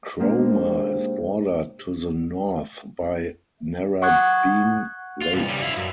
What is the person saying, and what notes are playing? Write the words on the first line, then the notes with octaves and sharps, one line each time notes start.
Cromer is bordered to the north by Narrabeen Lakes.
G#2 C3 A#3 D4
F#5 C#6 D#6 F#6 G#6
F4
C2 G2
C#3 G3
E4 F5
F#2